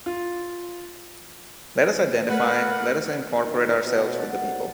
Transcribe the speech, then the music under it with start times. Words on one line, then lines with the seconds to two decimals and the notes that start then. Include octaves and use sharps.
Let us identify, let us incorporate ourselves with the people.
0.06 F4
2.29 A3 A#4 B4 F#5
3.45 D#3
3.86 B2
4.18 F#5 A5
4.42 C2